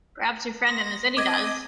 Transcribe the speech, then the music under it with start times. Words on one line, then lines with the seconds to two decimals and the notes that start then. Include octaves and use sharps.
Perhaps your friend in the city does.
0.66 C6 D#6 A#6
1.17 C4 D#5 D6 G#6